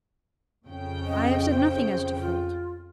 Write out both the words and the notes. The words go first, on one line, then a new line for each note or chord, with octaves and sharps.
I have said nothing as to fault.
F2 C#3 G5
D#5
C5
F4